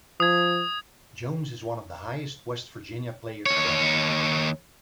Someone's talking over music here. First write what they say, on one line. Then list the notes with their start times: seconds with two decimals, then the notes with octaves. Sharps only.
Jones is one of the highest West Virginia players drafted.
0.20 F3 D#6 G#6
3.46 D#2 C#5